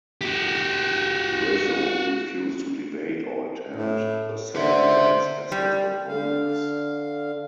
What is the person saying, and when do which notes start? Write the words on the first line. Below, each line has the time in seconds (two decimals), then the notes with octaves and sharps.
Rizzo refused to debate or attend the same events as his opponents.
0.21 F#4 G4
3.76 A2
4.56 D3 G4 C5 E5
5.52 G3
6.08 D3 F5